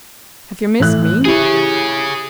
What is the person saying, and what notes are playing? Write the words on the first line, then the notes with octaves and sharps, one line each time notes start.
'Have you missed me?'
A2 E3 F#6
E4 G4 G#4 C#5